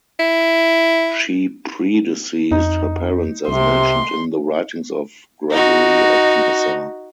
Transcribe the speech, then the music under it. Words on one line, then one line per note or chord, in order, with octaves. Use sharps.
She predeceased her parents as mentioned in the writings of Gregory of Nyssa.
E4
F2 D#4
C2 C3 C6
D#4 F#4